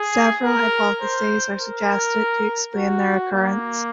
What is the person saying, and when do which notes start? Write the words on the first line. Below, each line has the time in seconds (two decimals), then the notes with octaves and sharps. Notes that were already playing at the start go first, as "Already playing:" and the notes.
Several hypotheses are suggested to explain their occurrence.
Already playing: G#4
0.44 A#4
1.02 C5
1.60 A#4
2.75 F#4
3.33 A#3